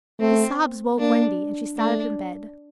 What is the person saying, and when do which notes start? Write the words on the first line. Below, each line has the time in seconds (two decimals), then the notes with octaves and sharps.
His sobs woke Wendy, and she sat up in bed.
0.20 A3 C4
0.98 A#3 D4
1.77 A3 D4